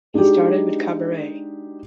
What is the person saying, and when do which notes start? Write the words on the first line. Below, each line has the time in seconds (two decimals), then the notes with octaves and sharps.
He started with cabaret.
0.14 G#3 D4 D#4 F#4 G4